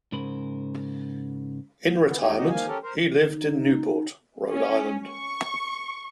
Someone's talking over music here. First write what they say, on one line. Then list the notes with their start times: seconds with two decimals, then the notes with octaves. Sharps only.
In retirement he lived in Newport, Rhode Island.
0.12 G#2 C#3 A#4 C5 B5
2.06 B3
2.20 E2 A3 D#4 G4 G#5
2.37 D#4 F#4 G4 D#5
2.50 D#3 F3 A#3 F5 G#5
2.67 C#4 G4 A4 A#4
2.83 A#4 C5
3.28 D#4
4.50 C#4
5.07 C#6